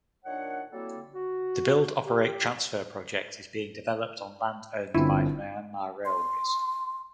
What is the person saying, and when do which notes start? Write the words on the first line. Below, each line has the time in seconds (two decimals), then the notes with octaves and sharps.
The build–operate–transfer project is being developed on land owned by Myanma Railways.
0.24 A#2 D#3 D4 C#5 F#5
0.71 F#3 G3 A#3 C4 E4 A4
1.13 F#4
2.03 G4
4.95 G1 C4 C#4 E4 F4
6.05 C6